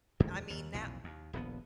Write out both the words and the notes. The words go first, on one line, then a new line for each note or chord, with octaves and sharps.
I mean that
F2 G#2 D#3 F#3
D#2
B1 F2 A#2 E3
D#2
D#1 A#1 B3